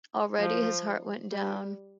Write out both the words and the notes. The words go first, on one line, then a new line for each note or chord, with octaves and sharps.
Already his heart went down.
F3
G3